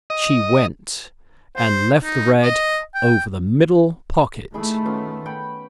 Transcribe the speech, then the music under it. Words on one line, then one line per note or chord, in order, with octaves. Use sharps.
She went, and left the red over the middle pocket.
D#5
C5
D#4
D#5
G5
D#3 A3 E4 G#4 B5
B3 C#4 F4
F#5 G5 B5